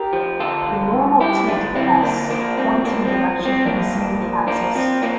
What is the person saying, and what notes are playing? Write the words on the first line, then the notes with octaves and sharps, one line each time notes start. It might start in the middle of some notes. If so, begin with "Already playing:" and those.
The normal to d"S" points in the direction of the "z" axis.
Already playing: G4 A#4
F3
D3 F4 A4
G2
G2
G2 E4 G4
D3 D4 F4
D3 C4 E4
F3 A#3 D4
F3 A#3 D4
G2 C4
G2 A#3 D4
C4
F3
F3
C4
F3 A#3 D4
G2
F3
F3 A#3 D4
F3 C4
F3 A#3 D4